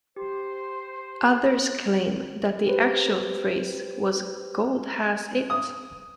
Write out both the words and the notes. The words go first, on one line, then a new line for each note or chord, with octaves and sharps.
Others claim that the actual phrase was Gold has it!
G4 C5
G4 B4 C5
D#6